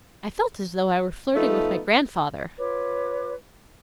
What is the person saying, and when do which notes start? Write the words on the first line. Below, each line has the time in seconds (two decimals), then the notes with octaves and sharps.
I felt as though I were flirting with my grandfather.
1.36 F3 A3 B3 D#4 A4
2.59 F4 B4 C#5 D6